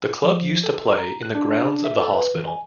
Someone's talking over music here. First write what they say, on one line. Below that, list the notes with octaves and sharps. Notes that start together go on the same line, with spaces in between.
The club used to play in the grounds of the hospital.
F3
A4
A#5
F#6
D4
E5
A4
B4
E3
G#5